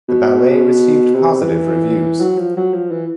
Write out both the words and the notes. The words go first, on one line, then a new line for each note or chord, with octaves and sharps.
The ballet received positive reviews.
B2
C3
E3
F#3
F3
F#3
F3
E3